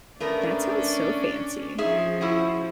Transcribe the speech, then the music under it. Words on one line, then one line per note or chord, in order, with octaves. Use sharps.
That sounds so fancy.
A3 B3 C#4 D4 A#4 D5
F3 C#4 D#4 G#4 E5
E4 F#4 G#4